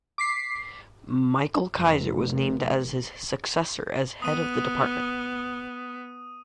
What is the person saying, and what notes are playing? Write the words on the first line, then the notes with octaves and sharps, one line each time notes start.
Michael Keiser was named as his successor as head of the department.
D6 B6 C7
F1
B3 D#6 D#7